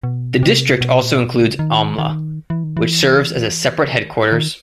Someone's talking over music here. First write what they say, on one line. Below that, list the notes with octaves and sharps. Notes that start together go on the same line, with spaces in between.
The district also includes Amla, which serves as a separate headquarters.
B2
C3
B2
A#2
B2
C#3
D#3
D#3
E3
D#3
E3
D#3
D#3